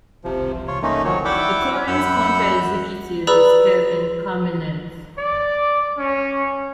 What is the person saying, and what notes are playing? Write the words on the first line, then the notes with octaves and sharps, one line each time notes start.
The current County Executive is Kevin Kamenetz.
C3 F3
F4 C#5
A3 A#3 C#4 D#4
D#3 F3 F#3 C#5
E4 D5 E5 F#5 G5 D6
F#2 F#5 B5 E6 G6
G#4 B4 D5 A#5 B5 E6
D5
C#4